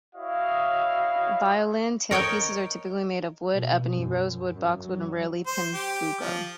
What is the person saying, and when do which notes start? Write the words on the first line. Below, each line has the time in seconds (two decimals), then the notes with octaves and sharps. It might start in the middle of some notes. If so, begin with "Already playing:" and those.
Violin tailpieces are typically made of wood: ebony, rosewood, boxwood, or rarely pernambuco.
0.15 E4 F#4 C#5 D#5 F5
2.11 A#4 C#5 D#5 G5
3.54 B2
3.94 F#2
4.54 F#2
4.88 F#3
5.47 C5
5.74 G4
6.21 F3